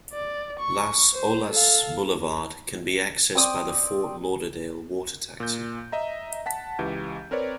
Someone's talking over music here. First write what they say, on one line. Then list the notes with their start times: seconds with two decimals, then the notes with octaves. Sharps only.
Las Olas Boulevard can be accessed by the Fort Lauderdale water taxi.
0.12 D5
0.59 C#6
1.14 C5
1.51 A4 F5
3.35 C4 D5 D#6
5.40 A#2 G6
5.92 D#5 E5 A#5
6.46 F#5 A5 B6
6.79 C#2 E3 G4 G6
7.31 C4 A#4 B4 C#5 D5